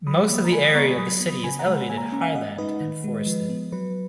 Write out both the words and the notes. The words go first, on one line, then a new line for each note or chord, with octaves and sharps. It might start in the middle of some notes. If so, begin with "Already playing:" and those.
Most of the area of the city is elevated highland and forested.
F#3 B5 D#6
A#3
A#5
G#3 G#5 B5
D#6
B3 A#5 C#6
F#3 B5 D#6
B3
C#3 G#5 B5
F#5 A#5
G#3
F#5 A#5
A#3 G#5
A#5
G#5
C#4 A#5
F5 G#5
G#3 D#5 F#5
D#4 B4 D#5
D#3
G#3
F3
B3
F#3 B4